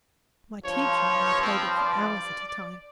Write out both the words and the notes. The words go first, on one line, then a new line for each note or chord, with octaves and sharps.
My teacher and I played it for hours at a time.
G2 F3 C#5
C4
D5